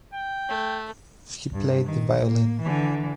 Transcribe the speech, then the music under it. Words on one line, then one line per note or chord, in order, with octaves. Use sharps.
He played the violin.
G5
A3
G2
D#3
A#3
D3 E3